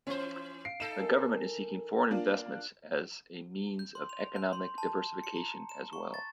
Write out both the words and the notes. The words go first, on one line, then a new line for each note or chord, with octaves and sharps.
The government is seeking foreign investment as a means of economic diversification as well.
E3 C#4 C5
F5 C7 D7
D#4 A4 E7
A#4 G#5
A#3 D4 F4
F#6
G6
C6
F7
G6
C6
A5
C#7
A#5
E7
C#6
A6